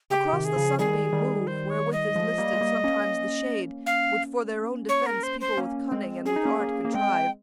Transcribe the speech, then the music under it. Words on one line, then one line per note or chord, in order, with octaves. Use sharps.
Across the sunbeam move, wherewith is listed Sometimes the shade, which for their own defence People with cunning and with art contrive.
C#3 G4
C3 D#3
G#4
C#3 F3
D#3 G3 G#4
D#3 G3
C5
C#5
D#5
F3 G#3
G3 A#3
G#3
G3 A#3
A#3 C#4
F5
C#5
A#4
C5
C5
A#3 C#4
G#3 C4
C#4 G#4
D#4
A#3 C#4
A#3 C#4
A#3
G#3 C4 G5